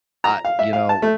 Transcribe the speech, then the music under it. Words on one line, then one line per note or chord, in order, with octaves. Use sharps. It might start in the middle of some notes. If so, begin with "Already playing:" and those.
Ah, you know,
A#5
F5
E5
F5
A5
A3